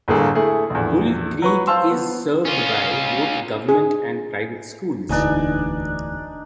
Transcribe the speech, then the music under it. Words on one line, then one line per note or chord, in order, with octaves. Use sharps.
Bull Creek is served by both government and private schools.
G1 A2 A#3 G#4 A4
A3 E4 G#4
A#1 E2
F#3 B4 C#6
C5 F5 A5 C6 E6
B3
C#4 F4
G#4
E1 D2 E3 D4 D#4 G#5